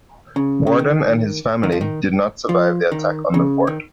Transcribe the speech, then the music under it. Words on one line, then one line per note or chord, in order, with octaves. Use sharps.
Warden and his family did not survive the attack on the fort.
C#3
C#3
D#3
D#3
F3
D#3
F3
D#3
C#3
D#3